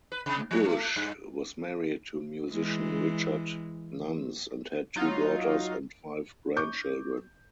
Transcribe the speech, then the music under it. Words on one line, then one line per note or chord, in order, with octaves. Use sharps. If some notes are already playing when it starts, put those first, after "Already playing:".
Bush was married to musician Richard Nunns and had two daughters and five grandchildren.
B4
C3
F3
A3
G2
E3 G#3
F#3 D#4 F4
C#6 D6 G6